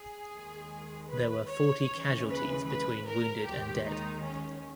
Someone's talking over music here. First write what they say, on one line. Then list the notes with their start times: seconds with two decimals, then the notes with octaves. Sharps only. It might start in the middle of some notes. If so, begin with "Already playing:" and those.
There were forty casualties between wounded and dead.
Already playing: G#4
0.32 D#2 D#3 G#3
1.10 B4
1.50 C#5
1.88 D#2 C#3 E3 G#3
2.29 B4
2.67 B4
3.07 A#4
3.46 D#2 D#3 G#3 G4
3.86 D#4
4.25 C#4